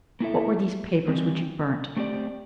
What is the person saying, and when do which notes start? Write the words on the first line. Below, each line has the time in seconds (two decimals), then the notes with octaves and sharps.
"What were these papers which you burnt?"
0.20 A#3 E4 A4 E5
1.08 E3 G3 C4
1.97 A3 C4 G4 D5